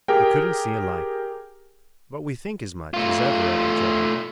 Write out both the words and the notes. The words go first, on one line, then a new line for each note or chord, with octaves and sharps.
We couldn't see alike, but we think as much as ever of each other.
G4 G#4 A#4 G5
A3 F4